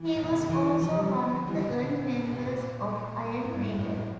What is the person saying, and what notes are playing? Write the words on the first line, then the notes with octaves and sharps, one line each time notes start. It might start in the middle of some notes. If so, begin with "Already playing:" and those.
He was also one of the early members of Iron Maiden.
Already playing: E3
A2
A#2
C3
D3
C3 E3
F3
G3
D3 F3
E3 G3
D3 F3
A#2 D3
D3
C3
A#2
A2
G2
A2
A2
A2